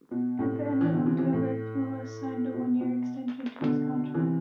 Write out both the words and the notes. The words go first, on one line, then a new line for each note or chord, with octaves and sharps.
At the end of October, Pulis signed a one-year extension to his contract.
B2
A2 C3
E3
B2 D3
C3 E3
C3 E3
A2
B2
B2
B2 D3
C3 E3